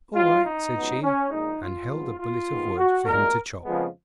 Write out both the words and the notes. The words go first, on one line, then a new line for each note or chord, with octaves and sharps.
'All right,' said she, and held a billet of wood for him to chop.
G#1 G#2 D#3 F4
D#4
C#2 B2 F#3 B3
C#4
A#1 A#2 G#3 D#4
F4
A#1 G#2 F3 B3
F4
D#2 D#3 G#3 B3
F#4
B1 A#2 G#3 A#4
F2 C#3 F3 G#3 B3